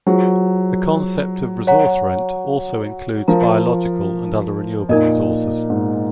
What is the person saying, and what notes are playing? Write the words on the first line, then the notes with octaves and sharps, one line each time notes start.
The concept of resource rent also includes biological and other renewable resources.
F#3 F4 G#4 C5
C#5 F#5 A#5
F3 A#4 F5 A#5
A#2 D#4 A#4 D#5
G#2